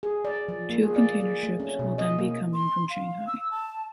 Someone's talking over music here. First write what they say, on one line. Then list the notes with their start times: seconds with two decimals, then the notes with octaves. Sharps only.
Two container ships will then be coming from Shanghai.
0.03 G#4
0.25 D5
0.48 F3
0.69 A#3
0.82 G#4
0.96 D5
1.20 G#4
1.43 A3
1.60 C#4
1.79 B2
1.98 D#5
2.19 A#3
2.54 C6
2.90 F5
3.27 E6
3.51 A5